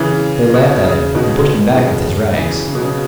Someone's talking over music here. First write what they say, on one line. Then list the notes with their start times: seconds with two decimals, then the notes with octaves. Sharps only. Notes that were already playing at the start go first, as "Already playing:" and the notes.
They laughed at him, and pushed him back, with his rags.
Already playing: C#3 E3
0.54 B2
0.84 C#3
1.15 B2 D#3
1.71 C#3
1.76 B2 D#3
2.36 C#3 E3
2.67 C#3
2.75 B2
2.83 C#3